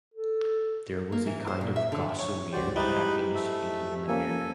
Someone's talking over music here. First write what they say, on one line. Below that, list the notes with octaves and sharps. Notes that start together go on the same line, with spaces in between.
There was a kind of gossamer happiness hanging in the air.
A4
A#3
E3
C5
A#2
E5
D3
C#5
C#2 F#4 G4 C5 D5
G#2 G3 D#4 E4 B4 D#5 B5
A3 E5
F3 A#3 C#4 A4 G#5